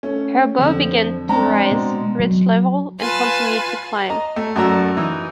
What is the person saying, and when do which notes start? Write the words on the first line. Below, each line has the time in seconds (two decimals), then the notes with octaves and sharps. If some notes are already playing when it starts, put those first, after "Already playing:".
Her bow began to rise, reached level, and continued to climb.
0.03 A3 C#4
0.59 F2 D3 F3
1.29 G#3 C4 D4 A#5
1.71 B2
2.19 F#3
3.00 F4 B4 G#5 A5
4.10 D#5 A#5
4.36 A3
4.56 F#2 A3 F#4 D5 A#5 E6
4.97 E3 D#4